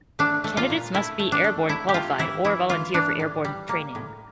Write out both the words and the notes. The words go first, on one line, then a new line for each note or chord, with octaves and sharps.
Candidates must be airborne qualified or volunteer for airborne training.
A3 D4
A3
F4
A#2
A3 E4
A3
D4
A3
A3 E4
G4
A3 F4
E3 E4
E3 E4
E3 F4
E3 D4
A2
G3
A#3
A2